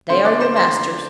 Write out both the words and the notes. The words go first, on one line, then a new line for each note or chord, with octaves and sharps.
They are your masters.
D3 A3 C4 F4 C5 C6
D5 D6
C5 C6
C5 C6